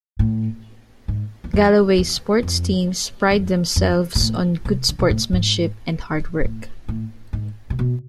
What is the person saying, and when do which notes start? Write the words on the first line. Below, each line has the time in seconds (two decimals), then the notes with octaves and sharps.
Galloway's sports teams pride themselves on good sportsmanship and hard work.
0.19 A2
1.08 G#2
1.44 E2
1.53 F2
1.98 E2
2.43 F2
3.31 F2
3.76 F2
4.15 B2
4.20 A2
4.65 C3
4.89 D3
4.99 B2
5.10 A2
5.33 G#2
6.45 A2
6.88 A2
7.33 G#2
7.70 C3
7.79 B2